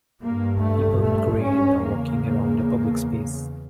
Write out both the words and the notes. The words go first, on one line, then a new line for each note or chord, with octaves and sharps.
People in green are walking around a public space.
G2 A#3
A3
A3
C#4
E2 C#3 A#3